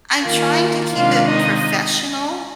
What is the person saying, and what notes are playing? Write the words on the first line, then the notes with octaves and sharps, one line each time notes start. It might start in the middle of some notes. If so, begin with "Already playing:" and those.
I'm trying to keep it professional,
D#3 A#3 F4
C3 D#3 G#3 D4 F4 F5
D#4 D#5